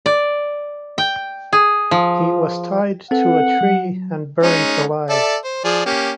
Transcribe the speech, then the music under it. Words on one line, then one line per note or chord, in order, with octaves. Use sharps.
He was tied to a tree and burned alive.
D5
G5
G#4
F3
C4 A4 B4 F#5
F#3
G#3 C#4 D#4
A4 D5 E5
C5
F3 G#4 D5
A#3 C#4 G4